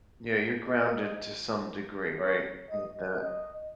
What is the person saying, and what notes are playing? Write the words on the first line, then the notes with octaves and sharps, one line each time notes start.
Yeah, you're grounded to some degree, right, with that.
D#5
C#5
D#5
D#5